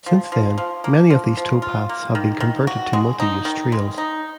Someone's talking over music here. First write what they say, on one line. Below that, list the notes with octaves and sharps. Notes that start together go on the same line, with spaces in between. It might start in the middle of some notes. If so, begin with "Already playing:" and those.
Since then, many of these towpaths have been converted to multi-use trails.
F3
F3
F3
A#3
F3
F3
F4
A#3
D#3
D#3
F#4
G#3
D#4
D#3
G#3
D#4